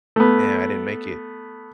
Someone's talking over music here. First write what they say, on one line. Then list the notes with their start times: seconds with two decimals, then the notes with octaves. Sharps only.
and I didn't make it.
0.16 A3 B3